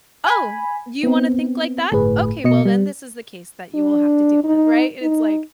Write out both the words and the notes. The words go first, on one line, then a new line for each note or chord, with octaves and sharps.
"Oh, you wanna think like that? okay, well, then this is the case that you will have to deal with," right? And it's like,
G#5 B5
B3 C4
G1 A2 G#4 B4
B2 D#5 C#7
G3
D4
D#4
D#4